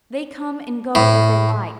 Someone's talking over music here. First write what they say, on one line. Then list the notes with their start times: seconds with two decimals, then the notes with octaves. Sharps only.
They come and go as they like.
0.95 A2